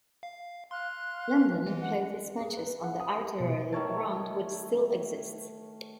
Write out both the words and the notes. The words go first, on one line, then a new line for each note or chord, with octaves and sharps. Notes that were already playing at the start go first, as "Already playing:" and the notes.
London played its matches on the Artillery Ground, which still exists.
F5
F5 C6 F#6
E3 G#3
F#5
G#4
B4
F#5
D#6
G4
B2
D#3 A3 C#5 A5